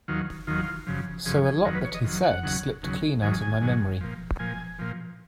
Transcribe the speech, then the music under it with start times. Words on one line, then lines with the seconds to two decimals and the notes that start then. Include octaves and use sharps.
So a lot that he said slipped clean out of my memory.
0.08 D#2 D#3 F#3 F4
0.47 D#2 D#3 F#3 F4
0.87 F#2 C#3 F3
1.26 F#2 C#3 F3 G#4
1.45 G#4
1.65 F2 D#3 F#3 A#4
1.75 B4
1.85 C#5
1.94 D#5
2.04 F2 D#3 F#3
2.24 F#5
2.43 D#2 C#3 F#3
2.83 D#2 C#3 F#3
3.22 G#2 D#3 F#3 G#5
3.41 G#5
3.61 G#2 D#3 F#3
4.01 A#2 F3
4.39 A#2 F3 G#5
4.79 A#2 F3